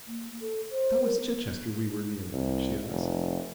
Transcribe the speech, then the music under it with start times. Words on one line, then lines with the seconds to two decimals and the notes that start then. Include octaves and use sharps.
"That was Chichester we were near?" she asked.
0.07 A#3
0.41 A4
0.71 C5
1.03 A#4
1.20 B3
2.33 C2
2.89 F1